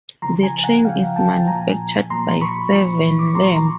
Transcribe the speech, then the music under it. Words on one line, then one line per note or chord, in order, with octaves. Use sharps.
The train is manufactured by Severn Lamb.
C#3 F3 A#5 C6
G#5 A#5
F#5 G#5
G#5
C#3 F3 F5 G5
G5 A5
A#2 F3 G#5 A#5
A#2 F3 A#5 C6
B5 C#6
A#2 F3 B5 C#6
D6
C#6
A#2 F3 A#5 C6
A#5 C6